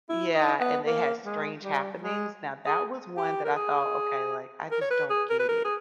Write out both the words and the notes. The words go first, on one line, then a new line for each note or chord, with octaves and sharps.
Yeah, and they had strange happenings. Now, that was one that I thought, "Okay, like, I just don't get it."
E4
D#4
B3
A#3
G#3
G3
G#3
G#4
G4
A#4
G#4
A#4
C#5
B4
G#4
A#4
B4
A#4
G#4